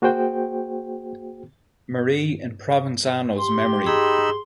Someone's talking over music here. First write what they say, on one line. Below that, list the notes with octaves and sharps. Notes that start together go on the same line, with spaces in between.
Marie in Provenzano's memory.
A#3 F#4 G#4 C5 G5
G4 C6
D#4 G#4 B5 E6